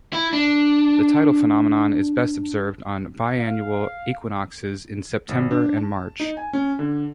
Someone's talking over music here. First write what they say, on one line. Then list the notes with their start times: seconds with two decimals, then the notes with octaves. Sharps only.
The tidal phenomenon is best observed on biannual equinoxes in September and March.
0.13 E4
0.33 D4
3.38 F5
5.29 G#1
5.51 D4
5.77 A5
6.20 D#4
6.37 G#5
6.53 C#4
6.79 D3